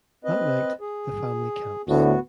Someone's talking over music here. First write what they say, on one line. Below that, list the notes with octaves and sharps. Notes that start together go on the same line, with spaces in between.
That night, the family camps.
C4 B4 D#5
G#4
D2 A2 B3 F#4